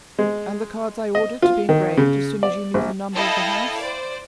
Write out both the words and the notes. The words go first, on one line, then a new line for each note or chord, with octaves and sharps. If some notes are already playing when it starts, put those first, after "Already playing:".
"And the cards I ordered to be engraved as soon as you knew the number of the house?"
G#3
D#5
F4
D#3
C#3
D5
A#1
E4 A4 D#5 F5 G5
C5 D5